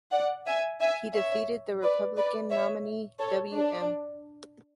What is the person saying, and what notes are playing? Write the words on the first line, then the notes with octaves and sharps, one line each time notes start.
He defeated the Republican nominee Wm.
D5 F#5
E5 G#5
E5 G#5
C#5 E5
B4 D5
B4 D5
C#5 E5
A4 C#5
D4